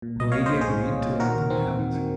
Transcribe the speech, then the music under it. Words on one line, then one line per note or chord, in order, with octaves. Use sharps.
The lady agreed to let them have it.
A#2
C2 D#5
A#2 C#5 F5
A#2 C5 D#5
C2 G#4 C5
C2
A#2
A#2
D#3 F#4 A#4
D#2
D#3 C4
D#2
D#3
D#3